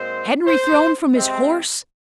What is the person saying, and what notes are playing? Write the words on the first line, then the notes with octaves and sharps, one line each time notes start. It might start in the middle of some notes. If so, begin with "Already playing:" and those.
Henry thrown from his horse?
Already playing: A#2 G#3 C4 C5
C5
C3 G#3 C4